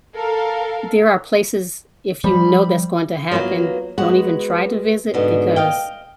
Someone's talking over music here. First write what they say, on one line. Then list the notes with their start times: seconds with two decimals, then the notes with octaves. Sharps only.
there are places, if you know that's going to happen, don't even try to visit because
0.15 A4 A#4 F5
2.24 F3 G3 B5
3.31 F#3 A#3 B3 E4 F4
3.98 G#3 B3 F#4 F#5
5.14 G#2 B2 D3
5.56 D#5 F5 G5